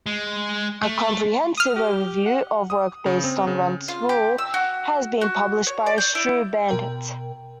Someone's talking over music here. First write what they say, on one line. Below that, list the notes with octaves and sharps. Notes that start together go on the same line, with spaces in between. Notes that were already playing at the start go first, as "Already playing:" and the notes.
A comprehensive overview of work based on Rent's rule has been published by Stroobandt.
G#3
A3
D#6 F6
G4
F#5
D#6
C#3
C4
C#3
F4
G4
E6
F#4
F#4
C#5
D5
G6
E4
B2 A#4 G5